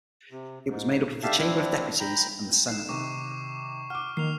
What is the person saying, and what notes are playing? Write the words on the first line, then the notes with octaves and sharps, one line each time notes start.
It was made up of the Chamber of Deputies and the Senate.
C3
G#2
D3 G4 E5 F5 A5
F3 A3 C4 D4 E4
G5 A#5 B5
B1 F#6 C7 E7
C3 D#3 C#6 D6
F#5 D6 F6
D#3 A#3 C7 F7